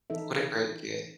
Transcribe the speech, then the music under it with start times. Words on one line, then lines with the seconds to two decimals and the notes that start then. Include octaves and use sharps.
What a great kid.
0.10 E3 D#4 A4 E5